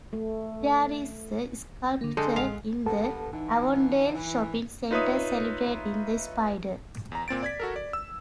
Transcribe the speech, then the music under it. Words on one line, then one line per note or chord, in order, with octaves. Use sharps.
There is a sculpture in the Avondale shopping centre celebrating the spider.
A3
D3 A#3
D3 G#3 A4 D5 C6 G6
A1 G#3 F5 F#5
C2 G2 A#3 B3 A4 A5
D3 E3 D#4
E3
D#4 F4 B4 C#5 E5 D#6
E2 A#5
A#2 C4 A6 D7
D5 G#6 B6
F#4 A4 A#4
D5
E6